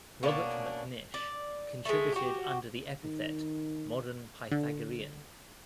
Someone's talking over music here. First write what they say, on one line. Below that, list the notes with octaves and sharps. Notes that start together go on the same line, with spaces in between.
Robert Macnish contributed under the epithet, Modern Pythagorean.
B2 A#3 C#4 D4
D5
G#3 A3
F#4 G4
D#3
D3